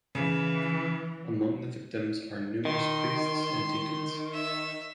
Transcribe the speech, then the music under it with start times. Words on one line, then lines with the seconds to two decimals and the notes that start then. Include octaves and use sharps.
Among the victims are numerous priests and deacons.
0.15 C#3 E3
2.65 D#3 C6
4.34 E5